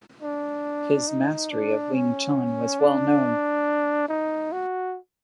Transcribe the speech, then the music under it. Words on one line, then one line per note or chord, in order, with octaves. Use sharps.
His mastery of Wing Chun was well known.
D4
D#4
D4
C#4
D4
D#4
F#4